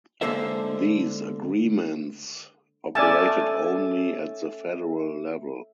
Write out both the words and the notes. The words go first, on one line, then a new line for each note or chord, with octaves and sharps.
These agreements operated only at the federal level.
D3 G#3 A#3 A4 C5 E5
A3 C#4 D5 G#5 A5